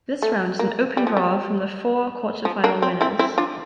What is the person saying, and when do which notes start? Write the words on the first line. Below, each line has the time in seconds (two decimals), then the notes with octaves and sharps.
This round is an open draw from the four Quarter Final winners.
0.22 A3
0.59 A#3
0.97 G3
1.07 F3
1.17 G3
2.45 F3
2.64 A#3 D4
2.82 C4
3.01 C4 E4
3.19 C4 E4
3.38 D4 F4